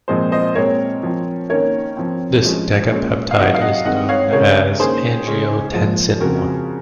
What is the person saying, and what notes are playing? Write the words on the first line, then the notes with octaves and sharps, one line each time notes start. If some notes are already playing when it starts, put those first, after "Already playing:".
This decapeptide is known as angiotensin I.
A#2 F3 G#3 C4 C5 D#5
C5 D#5
A#2 G#3 C4 A#4 C#5
F3 C4
D#3 A#3 C#4 A#4 C#5
F3 C4
F3 G#3 C#4
A#2 G#3 C#4
F5
C3 D#3 F#3 D#5 F#5
F5
D#5 F#5
D#3 G#3 C4 D#5 F#5
C#5 F5
C#3 G#3 C#4 A#4 C#5
D#3 A#3 C#4 G#4 C5
C#3 G#3 C#4
A#2 F3 G#3
C#3 F3 C4 F#4 A#4